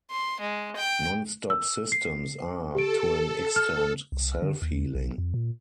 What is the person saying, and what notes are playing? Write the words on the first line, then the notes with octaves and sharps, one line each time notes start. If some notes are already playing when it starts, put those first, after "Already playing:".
NonStop systems are, to an extent, self-healing.
C6
G#3
G5
E6
C7
G4 A4 D7
F6
C2
D3
D#2
B1
F2
A#2